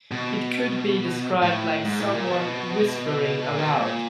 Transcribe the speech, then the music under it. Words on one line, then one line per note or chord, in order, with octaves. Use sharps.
It could be described like someone whispering aloud.
B2
A2
G#2
A2
A#2
B2
A#2
B2
A#2